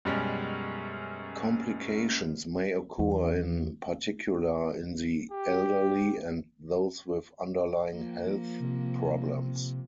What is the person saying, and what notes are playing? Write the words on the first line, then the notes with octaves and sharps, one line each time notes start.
Complications may occur in particular in the elderly and those with underlying health problems.
F#2 B2 G3 G#3 C#4
E2
G4
F3 A#3
C3